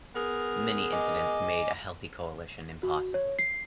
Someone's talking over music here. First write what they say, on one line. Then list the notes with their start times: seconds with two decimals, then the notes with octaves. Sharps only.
Many incidents made a healthy coalition impossible.
0.15 B3 G#4 A#4
0.93 D#5 G#5 D6
2.83 F#4
3.14 C#5
3.39 C7